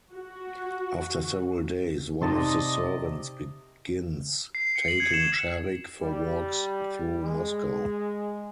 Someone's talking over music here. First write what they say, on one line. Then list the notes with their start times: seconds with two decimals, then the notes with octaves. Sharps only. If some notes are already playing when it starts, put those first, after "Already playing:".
After several days, one of the servants begins taking Sharik for walks through Moscow.
0.14 F#4
2.22 C3 D#4 D5 D#5 A5 C6
4.55 C7
4.76 C#7
4.88 F#7
5.00 G#6
5.14 E7
6.02 G3
7.22 G#3